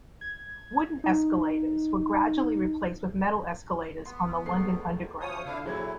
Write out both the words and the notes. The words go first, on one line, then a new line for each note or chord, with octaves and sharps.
Wooden escalators were gradually replaced with metal escalators on the London Underground.
G#6
D#4
B3 C6
E1 A3 C7
D2 F4 C5 C#5 D#6
D3 D4 E4 F5
A#2 F#3 E4 G#4 A4 G#6